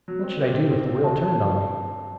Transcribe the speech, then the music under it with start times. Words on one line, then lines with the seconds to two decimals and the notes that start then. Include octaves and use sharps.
What should I do if the whale turned on me?
0.08 F#3
0.23 C4
0.39 G4
0.55 C4
0.71 C4
0.86 C4
1.02 F#3 A5